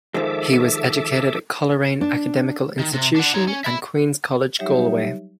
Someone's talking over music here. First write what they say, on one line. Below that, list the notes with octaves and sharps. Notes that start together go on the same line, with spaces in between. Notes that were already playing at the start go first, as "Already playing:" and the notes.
He was educated at Coleraine Academical Institution and Queens College Galway.
D#3 F3 G#3 A4 E5 D6
D4
D#3
C3
D4 F#5
D#4 C#5
C#4
E5 B5
F#3 G3 D#4 G4 C#5 E5